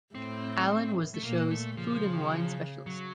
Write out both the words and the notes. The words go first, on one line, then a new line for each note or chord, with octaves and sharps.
Allen was the show's food and wine specialist.
A2 C4
A3
A#2 A#3
A3
C#3 F3
F#3